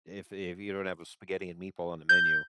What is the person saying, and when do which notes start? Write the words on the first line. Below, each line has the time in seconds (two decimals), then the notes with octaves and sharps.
If if you don't have a spaghetti and meatball on the menu.
2.09 G6